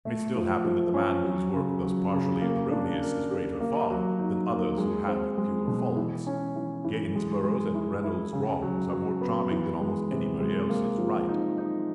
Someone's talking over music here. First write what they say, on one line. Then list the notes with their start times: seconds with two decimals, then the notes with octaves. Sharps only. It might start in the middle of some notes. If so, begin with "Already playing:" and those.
It may still happen that the man whose work thus partially erroneous is greater far, than others who have fewer faults. Gainsborough's and Reynolds' wrongs are more charming than almost anybody else's right.
0.05 A3
0.36 F3
0.64 F3
0.94 C#4
1.24 F#3
1.54 C#3
1.83 F#3
2.12 C#3
2.41 A#3
2.71 D4
3.01 A#4
3.30 G4
3.60 A#3
3.90 F#3
4.19 D#4
4.49 A#3
4.78 G#3
5.08 C4
5.38 G#3
5.68 B2
5.96 E3
6.27 C#4
6.56 E3
6.85 E3
7.15 G#3
7.44 G#3
7.74 E4
8.04 E4
8.33 C#3
8.62 F#3
8.92 F#3
9.21 B3
9.51 E3
9.81 G#3
10.11 C3
10.40 G#3
10.69 A#3
10.98 F3
11.28 D#4
11.58 D#4